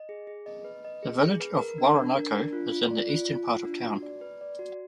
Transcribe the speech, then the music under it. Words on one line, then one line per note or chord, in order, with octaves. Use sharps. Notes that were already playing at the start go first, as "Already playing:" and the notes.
The village of Woronoco is in the eastern part of town.
Already playing: D#5
G#4
G#4
D#5
B4
D#5
G#4
G#4
B4
A#4
D4
D4
A#4
D4
F4
F4
D5
F4
F4
F4
D4
F#4
D5
B4
D5
F#4